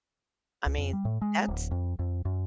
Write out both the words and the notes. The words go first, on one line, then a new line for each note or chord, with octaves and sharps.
I mean, that's
C#2
F2
G3
A2
G#3
D1
F2
F2
F#2